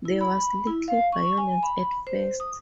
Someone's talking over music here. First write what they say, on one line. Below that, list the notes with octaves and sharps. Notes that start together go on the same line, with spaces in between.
There was little violence at first.
E4
B5
E4
F5
C#6
G#5
B5
C5
D#6